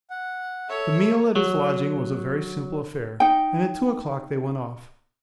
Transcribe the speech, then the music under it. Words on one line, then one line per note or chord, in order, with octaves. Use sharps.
The meal at his lodging was a very simple affair, and at two o'clock they went off.
F#5
A4 C#5 E5
F#3
D#4 G5